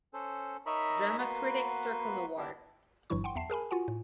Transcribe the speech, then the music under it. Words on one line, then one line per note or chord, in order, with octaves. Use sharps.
Drama Critics Circle Award.
C#4 A4 C5
D#4 A#4 C#5 D#5 E5 B5
A#3 B3 F#4 B4 C6
B3 D4 E4 G4
G1 G2 E3 F#3 E4 C#6
F#5 G5 C6
E2 E5 A5 C7
G#4 A#4 G#5 B5
F4 F#4 F#5 G#5
A2